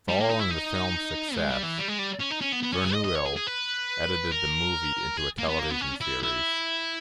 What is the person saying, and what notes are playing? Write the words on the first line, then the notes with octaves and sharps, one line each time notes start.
Following the film's success, Verneuil edited the movie into a television series.
G3
A#3
D#4
E4
D#4
G#3
G3
E3
G3
G#3
G3
C#4
D#4
C#4
B3
B3
C#4
G#4
D#5
D#5
C#5
G#4
G#4
B4
A#4
G#4
A#3
B3
A#3
B3
C#4
E4
E4